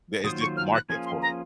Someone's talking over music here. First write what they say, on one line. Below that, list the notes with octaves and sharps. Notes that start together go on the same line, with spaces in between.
there is just a market for it.
D#3 F#3 A#3 F4 C5 D#6
C#6
F6
F#6
F3 A#3 C#4 F4 G#4 G#6
C6
A#5